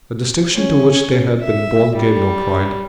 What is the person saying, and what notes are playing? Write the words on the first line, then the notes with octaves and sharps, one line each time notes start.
A distinction to which they had been born gave no pride.
C#4
E5
G3